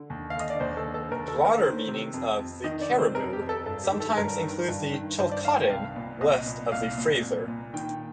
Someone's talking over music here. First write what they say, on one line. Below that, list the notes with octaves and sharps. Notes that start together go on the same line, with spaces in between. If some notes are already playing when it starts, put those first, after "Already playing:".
Broader meanings of "the Cariboo" sometimes include the Chilcotin, west of the Fraser.
Already playing: D3
D#2
F5
D3 D#5
D5
D#2 C5
A4
D3
A4
D#2 A#4
A4
D3
A#4
D#3 C5
C3
F2
F2
D#3 D#5
D5
C3
C5
F2 A#4
G4
F2
A4
G2 A4
G4
D#3
A4
G2 A#4
D#3
G2
D#3
G2 C5
D5
D#3 F5
G5
C2 F5
A#2
C2 D#5
A#2
C2 F5
A#2
C2
A#2
D#3 G5